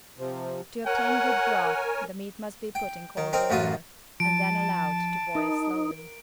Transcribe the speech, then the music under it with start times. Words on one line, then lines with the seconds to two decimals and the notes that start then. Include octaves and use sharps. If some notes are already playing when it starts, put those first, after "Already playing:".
To obtain good broth the meat must be put in cold water, and then allowed to boil slowly.
0.18 C3 F3
0.86 A#4 C#5 F#5 G#5
2.75 G5
3.17 D#3
3.33 C4 D#4 A#4
3.50 A1 F#2 F4 F#4 C6 D#6
4.20 F3 A5 D7
5.35 D#4 A#4